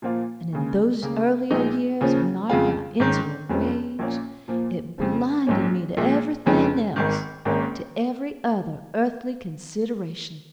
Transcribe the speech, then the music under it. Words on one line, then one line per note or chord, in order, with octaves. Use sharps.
And in those earlier years, when I got into a rage, it blinded me to everything else, to every other earthly consideration.
A#2 F3 A#3 F4
D#2 C#3 G#3
D#2 C#3 A#3
A#1 A#2 G#3 D#4
D#2 C#3 F3 C#4
F2 C#3 G#3 F4
G#2 D#3 C#4
F1 F2 F3 G#3 C#4
A#1 A#2 A#3 C#4
A#2 F3 A#3
F2 C#3 F3
A#1 G#2 G#3 C#4
A#1 A#2 G#3
F1 F2 C#3 G#3 C#4
G#1 G#2 D#3
G#1 G#2 D#3 A#3 C#4